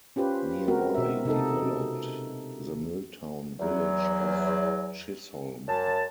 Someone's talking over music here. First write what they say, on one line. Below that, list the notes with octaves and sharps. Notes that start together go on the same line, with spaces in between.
Nearby developed the mill town village of Chisholm.
C#4 F4 G4 B4 C5
G#3 C4 F#4 A#4
B2 E5
C3 D#4 A4
E2 F#3
F#2 A5